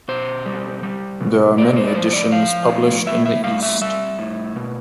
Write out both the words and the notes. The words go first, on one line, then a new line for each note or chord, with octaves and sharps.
There are many editions published in the East.
B2 C5
G3
G3
B2
A2 D5
C5
D5
F3 C5
D5
F3 F5
A2
A2 E5
E5
G3 F5
E5
G3 E5
A2
B2